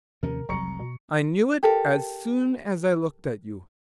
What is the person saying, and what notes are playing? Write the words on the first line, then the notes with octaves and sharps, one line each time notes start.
"I knew it as soon as I looked at you."
D#2 C3 F3 C#4 A#4
F1 C2 F#3 A#5 C#6 C#7
B2
G4 A4 A#4